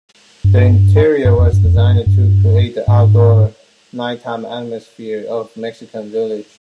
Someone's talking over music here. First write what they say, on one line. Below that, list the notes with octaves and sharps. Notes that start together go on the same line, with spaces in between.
The interior was designed to create the outdoor nighttime atmosphere of a Mexican village.
G2
G2
F2
G2
F2
G2
G2
G#2